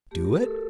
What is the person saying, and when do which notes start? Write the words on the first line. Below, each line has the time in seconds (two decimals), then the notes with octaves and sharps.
Do it?
0.11 A3 G4
0.25 A#4
0.37 A4
0.50 F#4